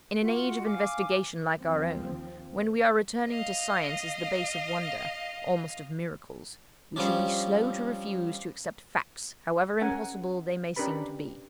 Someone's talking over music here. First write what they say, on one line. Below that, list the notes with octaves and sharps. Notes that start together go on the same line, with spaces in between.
In an age of investigation like our own, when we are returning to science as the base of wonders--almost of miracles--we should be slow to refuse to accept facts, however impossible they may seem to be.
F4 F#4
F5 G#5 D6 F6
D#2 F3 C4
D#5 F5
F3 G3 C#4 D4
C#4 A#4 F#5 G#5
C#4 D4 G4 A#4 B4 B5